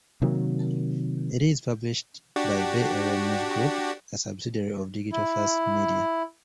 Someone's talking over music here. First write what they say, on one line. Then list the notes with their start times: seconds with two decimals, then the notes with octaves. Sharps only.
It is published by Bay Area News Group, a subsidiary of Digital First Media.
0.22 C3 D#3 F#3 A#3
2.36 D4 F#4 G4
5.12 E4